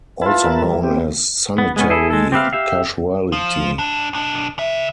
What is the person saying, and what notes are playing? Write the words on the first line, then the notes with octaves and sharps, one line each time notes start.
Also known as sanitary casualty.
E4 F4 B4 A5
A#4 E5
E3 G3
C4 G4
B3
G#3 B3 C#4
E4 G#4 A4
G#3 A4
C4 G4 B4 E5 F5
G4 E5 F5
F3
G#2 D4
B1 D4
C#3 E5